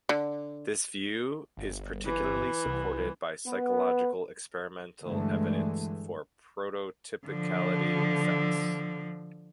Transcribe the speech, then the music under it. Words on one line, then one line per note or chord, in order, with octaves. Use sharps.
This view is particularly supported by psychological experimental evidence for prototypicality effects.
D3
G1
E3
C2
B3
G2 D3 E3 G#3 A3
D3 F3